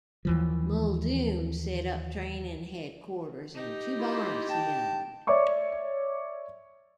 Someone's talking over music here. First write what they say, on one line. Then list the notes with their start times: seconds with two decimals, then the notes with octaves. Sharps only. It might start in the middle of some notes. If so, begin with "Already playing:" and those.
Muldoon set up training headquarters in two barns he owned.
0.25 D#2 E3 F3
3.54 D#4 G4
3.99 A#3 E4 F4
4.49 G5 A5
5.27 C#5 D5 E5 C#6 D6